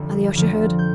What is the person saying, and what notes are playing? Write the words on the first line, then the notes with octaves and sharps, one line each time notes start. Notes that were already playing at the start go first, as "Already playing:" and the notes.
Alyosha heard.
Already playing: F1 F2 D3 F3
F2 D3 F3
G6